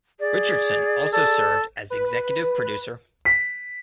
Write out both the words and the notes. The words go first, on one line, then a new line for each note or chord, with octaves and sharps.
Richardson also served as executive producer.
G#4 D5
A4 D5
B4
B6